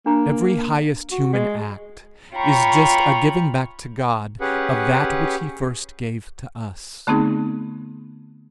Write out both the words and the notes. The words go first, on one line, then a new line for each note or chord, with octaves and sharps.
Every highest human act is just a giving back to God of that which he first gave to us.
A#3 D4 A#5
F#4
G#3
F4 C#5 G5 A#5 B5 C#6
C#4 G4 G#4 B4 F#5
D3 A3 B3 C4 D#4 G#4